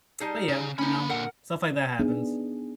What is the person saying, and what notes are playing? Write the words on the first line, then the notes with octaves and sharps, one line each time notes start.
But, yeah, you know, stuff like that happens.
G3 D#4 G#4
C#3
A#3 C#4 D#4 B5
A#2 D3 A#4 F#5
B3 D4 D#4 G#4